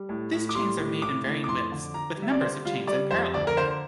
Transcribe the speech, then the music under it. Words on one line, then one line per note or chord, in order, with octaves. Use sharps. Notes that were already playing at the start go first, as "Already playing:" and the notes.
These chains are made in varying widths, with numbers of chains in parallel.
Already playing: G3
A2
A2
D6
G3 C6
A2
A2 D6
A2
D6
F2 C6
D3
D3 A#5
G3 E5
D5
D3 C5
G3 F4
G3 D5
F2 C5
D2 D5
A#4
D3 C5